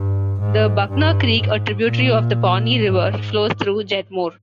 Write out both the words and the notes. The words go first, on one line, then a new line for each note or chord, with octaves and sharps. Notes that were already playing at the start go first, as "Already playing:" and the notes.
The Buckner Creek, a tributary of the Pawnee River, flows through Jetmore.
Already playing: G2
G#2
G2
G#2
A#2
G#2